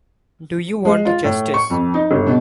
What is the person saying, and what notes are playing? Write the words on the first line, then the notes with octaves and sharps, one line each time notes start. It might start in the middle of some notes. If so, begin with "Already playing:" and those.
Do you want justice?
G#3
F4
A2
C#6
F2
D#4
G1
B2